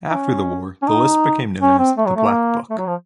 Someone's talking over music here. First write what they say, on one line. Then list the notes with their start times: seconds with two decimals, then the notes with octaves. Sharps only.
After the war, the list became known as The Black Book.
0.11 D#4
0.14 C#4
0.82 C#4
0.87 D#4
1.61 C#4
1.79 C4
1.97 A3
2.06 F#3
2.16 A3
2.25 A#3
2.70 A3
2.78 F#3
2.86 F3